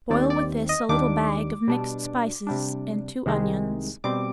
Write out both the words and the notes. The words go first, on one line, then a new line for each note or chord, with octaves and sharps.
Boil with this a little bag of mixed spices and two onions.
D#2 D#3 G3 C4 D5
D5
D#5
D#2 D#3 G3 D4 D6
B2 G3 D4
C3 G3 D4
C2 C3 D#3 G#3 C4
B2 G3 C4 D6